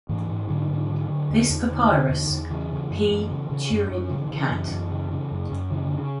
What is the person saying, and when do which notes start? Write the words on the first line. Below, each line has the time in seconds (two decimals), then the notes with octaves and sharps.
This papyrus, P. Turin Cat.
0.09 G#2 E3
0.29 G#2
0.49 G#2 D3 F#3
0.69 G#2
0.90 D3
1.09 D3
1.30 E2
1.50 E2
1.70 D3
1.90 D3
2.09 E2
2.29 E2
2.50 C#3 E3
2.71 C#3
2.90 F#2
3.11 F#2
3.30 C#3
3.50 C#3
3.71 F#2
3.90 F#2
4.10 C#3 F#3
4.18 E3
4.27 D3
4.31 C#3 E3
4.51 F#2
4.71 F#2
4.91 C#3
5.11 C#3
5.31 F#2
5.51 F#2
5.71 C#3 E3
5.84 D3
5.92 C#3